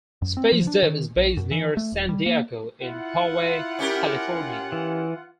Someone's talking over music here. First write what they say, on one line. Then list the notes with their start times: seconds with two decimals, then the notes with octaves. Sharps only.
SpaceDev is based near San Diego in Poway, California.
0.22 F#2
0.37 C4
0.52 F3
0.67 D4
0.83 D#3
1.16 A#1
1.37 F#2
1.51 E3
1.77 A3
1.92 D#1
2.09 G3
2.26 A#3
2.83 E4 F4 F#5
3.79 C#4 G4 A#4
4.72 E3